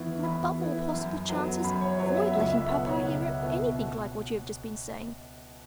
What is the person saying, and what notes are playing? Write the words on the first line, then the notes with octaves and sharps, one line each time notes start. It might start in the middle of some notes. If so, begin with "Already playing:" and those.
'And above all possible chances, avoid letting papa hear anything like what you have just been saying.
Already playing: E2 E3 B3 E4 C#6
E2 B5
E3 B3 E4
F#2
F#3 B3
F#2 B5
C#5
F#3 B3 C#5
E5
C#2 E5
E5
B2 B3 F#5
C#5
C#2 F#5
B2 B3
B2